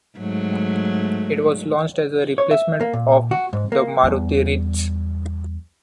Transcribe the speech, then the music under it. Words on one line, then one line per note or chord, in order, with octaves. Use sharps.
It was launched as a replacement of the Maruti Ritz.
G#2 F#3 A3
C#5
E5
A#3
A#2
F#4
G#2
A#3
E2 G3